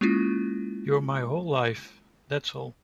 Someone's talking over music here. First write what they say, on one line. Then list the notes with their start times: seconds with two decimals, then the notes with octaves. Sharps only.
You're my whole life, that's all.
0.01 G#3 A#3 C#4 E4 F4